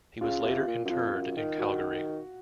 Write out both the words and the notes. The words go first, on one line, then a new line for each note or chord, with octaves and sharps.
He was later interred in Calgary.
C#3 F4
C3
A#2
F#2
F2 F4
F#2
D#3
F#4